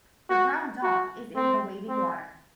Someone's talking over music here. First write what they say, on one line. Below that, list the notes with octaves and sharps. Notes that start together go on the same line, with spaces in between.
The brown dog is in the waving water.
F#4
F#4
C4
C4